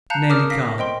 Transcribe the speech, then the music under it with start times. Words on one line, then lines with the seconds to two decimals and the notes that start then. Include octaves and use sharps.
Nearly calm.
0.10 F5 A5 A#5 F#6 G6 C#7
0.29 A#4 D6 D#6 F6
0.50 F5 A#6 B6
0.78 C5 D#5 G5 C6